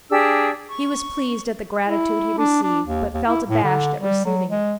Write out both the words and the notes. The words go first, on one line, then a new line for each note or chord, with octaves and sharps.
He was pleased at the gratitude he received, but felt abashed at receiving it.
D4 G4 G#4 E6
C#6
E4
D4
D4
D#2
D#2
E4
A2
D3
G3
F#3
G#3